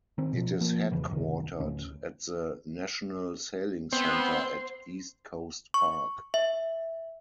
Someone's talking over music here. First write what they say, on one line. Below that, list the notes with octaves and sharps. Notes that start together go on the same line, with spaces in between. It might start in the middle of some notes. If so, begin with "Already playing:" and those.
It is headquartered at the National Sailing Centre at East Coast Park.
D#3 C4
B2 F3
F3 A#3
E1 C#3 E3
F#1 C2 D#3
D1 D2 C#4
B3 C4 C5
C#6
E5